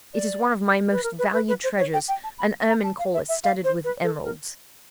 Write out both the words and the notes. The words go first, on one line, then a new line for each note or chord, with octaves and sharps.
It is one of my most valued treasures--an ermine collar studded with emeralds.
D5
B4
A#4
B4
B4
B4
C5
C#5
G5
G5
A5
B5
A#5
A5
F5
E5
E5
F5
C5
B4
A4
A#4